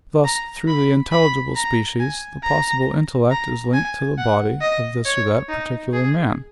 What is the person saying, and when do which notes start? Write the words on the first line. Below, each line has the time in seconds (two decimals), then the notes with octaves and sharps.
Thus through the intelligible species the possible intellect is linked to the body of this or that particular man.
0.25 A#5
0.68 B5
1.12 B5
1.56 A#5
2.00 G#5
2.44 A#5
3.31 A#5
3.74 G#5
4.18 F#5
4.61 D#5
5.06 C#5
5.49 D#4
5.93 G#4